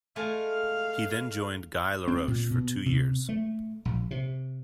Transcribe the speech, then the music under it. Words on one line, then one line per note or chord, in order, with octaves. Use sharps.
He then joined Guy Laroche for two years.
G#3 A3 F5 G#5
C4
A#2
B2
C3
A3
A#1
C3